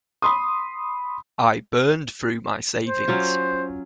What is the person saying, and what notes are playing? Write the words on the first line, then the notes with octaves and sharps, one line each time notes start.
I burned through my savings.
B5 C6 D#6
C5
F#3 C#4 F4